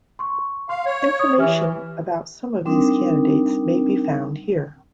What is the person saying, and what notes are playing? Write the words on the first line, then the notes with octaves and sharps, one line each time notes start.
Information about some of these candidates may be found here.
C6 C#6
F5 C6
C#5
D#6
E3 G4 E5 F6
G3 C4 D4 D#4 A#4